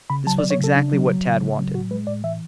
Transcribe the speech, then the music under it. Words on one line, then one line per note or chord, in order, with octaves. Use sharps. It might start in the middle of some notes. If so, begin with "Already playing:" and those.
This was exactly what Tad wanted.
C#3 B5
F#3 A5
D5
F#3
C#5
C#3 A4
C#3 D4
F#3
F#3
C#3
C#3
F#3
A2 F#4
G#3 B4
A2 D5
E3 E5